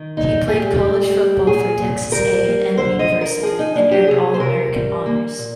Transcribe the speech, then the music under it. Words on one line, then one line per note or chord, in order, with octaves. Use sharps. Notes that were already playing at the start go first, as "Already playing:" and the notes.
He played college football for Texas A and M University, and earned All-American honors.
Already playing: D#3
A#2 D#4
A#2 G#4
G4
G3
A#3
A#2 G#4
A#2
G3 A#4
A#3
D3 C5
D#5
D3
A#4
F3 G#4
D#4
A#3 D4
G4
C3 G#4
C5
C3 A#4
G3
A#3
A#2